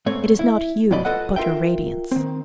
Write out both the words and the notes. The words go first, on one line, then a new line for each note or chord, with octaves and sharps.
It is not you, but your radiance.
G#2 A3 C4 C#5
E4
G2 C3 F#3 D5 D#5 B5
F4 F#4 A4 B4 D#5 F#5
F4 A#4 E5 G5
D#3 C4